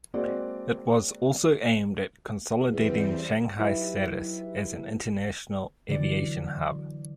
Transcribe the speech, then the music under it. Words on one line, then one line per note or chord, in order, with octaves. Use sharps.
It was also aimed at consolidating Shanghai's status as an international aviation hub.
G#3 A#3 C4 F#4 G#4 D5
E2 G3 C4
F#3 D#4 E4 G4 B4 E5
D3 E3 F#3 D5